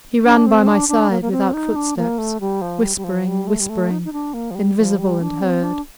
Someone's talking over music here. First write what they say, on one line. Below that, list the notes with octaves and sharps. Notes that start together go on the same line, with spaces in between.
He ran by my side, without footsteps, whispering, whispering--invisible and heard.
D4
C4
D4
D4
A#3
A#3
C4
D#4
D4
A#3
A3
G3
F3
G3
G3
F3
G3
A3
G3
A3
D#4
D#4
D4
A#3
F3
G3
F3
G3
D4
C4
D4